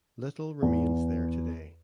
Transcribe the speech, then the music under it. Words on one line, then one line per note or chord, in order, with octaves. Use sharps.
Little remains there today.
E2